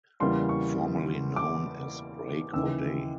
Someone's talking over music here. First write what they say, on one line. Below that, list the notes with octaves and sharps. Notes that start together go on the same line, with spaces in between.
Formerly known as Break O'Day.
E2 C#3 E3 G3 A#3 C6
C#6
D6
D#2 C#3 E3 E6